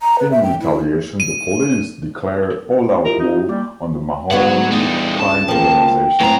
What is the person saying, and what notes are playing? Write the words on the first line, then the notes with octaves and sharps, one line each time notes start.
In retaliation, the police declare all-out war on the Mahoney crime organization.
A#5
B4
E5
G5
E4
D#7
D#5
E4 F4 G4 A#4
D#4
G3 A#3 D6 G6
D3 F#3 B3 F#4 F#5
E2 G3 D#4
C#2 A5
F3 A#3 G5
F#2 A2 B3 C4 A#5